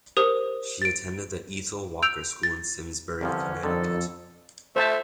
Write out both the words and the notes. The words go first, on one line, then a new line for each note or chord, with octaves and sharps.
She attended The Ethel Walker School in Simsbury, Connecticut.
G4 A#4 C5 D#6
A6 D7
E6 G6 D7 F7
A6
C2 F2 D3 E3 F3 C#4
F2 D3 D#3 A4
A3 C5 E5 A5